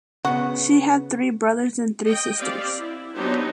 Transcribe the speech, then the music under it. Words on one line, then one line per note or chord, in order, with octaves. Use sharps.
She had three brothers and three sisters.
C#3 B3 F#4 C#6
D#5 G5
C4 G4 D5 F5
E4
F#3 B3 D4 D#4 G4 C5